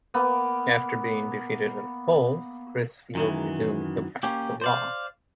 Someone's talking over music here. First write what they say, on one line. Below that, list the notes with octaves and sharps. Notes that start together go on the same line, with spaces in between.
After being defeated at the polls, Crisfield resumed the practice of law.
A#3 B3
F#2 D#3 E3
A#3 C#4 G4
C5 D5 F5